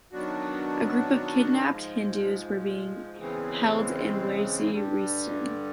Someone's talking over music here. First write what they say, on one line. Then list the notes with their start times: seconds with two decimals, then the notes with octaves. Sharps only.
A group of kidnapped Hindus were being held in Waziristan.
0.12 D#3 F#3 B3 D4 F#4
1.65 G#2 F3 G#3
3.18 E2 C#3 E3 G#3 C4
4.70 G2 D3 G3